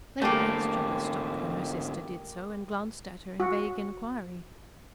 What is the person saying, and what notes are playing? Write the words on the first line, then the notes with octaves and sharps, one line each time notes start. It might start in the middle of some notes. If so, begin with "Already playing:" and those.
Lady Anstruthers stopped when her sister did so, and glanced at her in vague inquiry.
G#2 D3 A3 A#3 G4 G#5
F#4